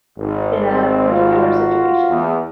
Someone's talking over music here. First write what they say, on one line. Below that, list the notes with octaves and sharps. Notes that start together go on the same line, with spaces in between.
in a particular situation.
G#1
C4
F4 F#4
E2